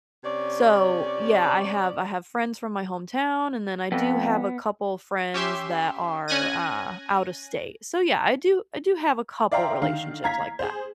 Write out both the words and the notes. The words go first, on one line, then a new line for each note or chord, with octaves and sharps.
so yeah, I have I have friends from my hometown and then I do have a couple friends that are, uh, out of state. So, yeah, I do I do have a couple relationships like that.
C3 C#4 D5
F2 B3
C#4 G4 E5 C6
C#4 G#5 F#6 G#6 A#6 D#7
D5 E5 F5 G5 A#5 C6
D3 D#3 F5
F5 A#5 G#6 B6
G#4 C5